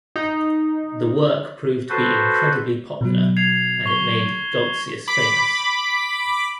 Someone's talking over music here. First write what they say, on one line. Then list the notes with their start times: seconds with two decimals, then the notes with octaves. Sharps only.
The work proved to be incredibly popular and it made Goltzius famous.
0.16 D#4
1.89 F#4 A4 B4 C5
3.01 B2 F#3
3.37 G#6 C7 F7
3.86 C#6 G7
5.08 B5 D6